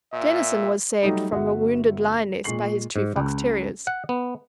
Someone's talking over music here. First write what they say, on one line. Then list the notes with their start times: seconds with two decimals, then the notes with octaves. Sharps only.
Dennison was saved from a wounded lioness by his two fox-terriers.
0.13 A#2 E5
1.03 F#3 G3 A3 D#4
1.31 G1 F#4 E5 F#5
2.44 A#2 G#3 C#6 C7 F#7
2.96 G#2
3.16 C#2
3.87 F#5
4.09 B3